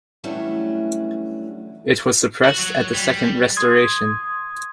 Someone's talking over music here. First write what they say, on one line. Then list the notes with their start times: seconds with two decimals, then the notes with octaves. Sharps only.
It was suppressed at the second Restoration.
0.24 E3 F#3 G3 A3 C#4 D4
2.45 F#4
2.59 F#3
2.94 G3
3.57 C6 D#6 G#6